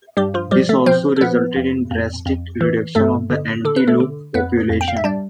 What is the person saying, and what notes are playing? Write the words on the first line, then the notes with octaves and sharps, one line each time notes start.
This also resulted in drastic reduction of the antelope population.
G2 G3 G4
F3 F4
F3 G3 G4
A3 A4
F3 C4 C5
A4
F3 B3 B4
F2
F2
F2
E3
G2 A3 A4
D3
D3 A4
B4
A3 A4
D3
F2 B3 B4
F2
G5
F5
E5
G3 D4 D5